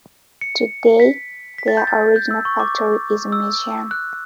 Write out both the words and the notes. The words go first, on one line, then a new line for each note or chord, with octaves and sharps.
Today, their original factory is a museum.
C#7
B6
B6
A6
G6
A6
G6
E6
C#6
D6
E6
F#6